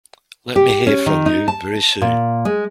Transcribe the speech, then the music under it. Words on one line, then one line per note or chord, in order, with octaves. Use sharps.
Let me hear from you very soon.
G4
C#4
D#3
D#4
A5
A#2
G#3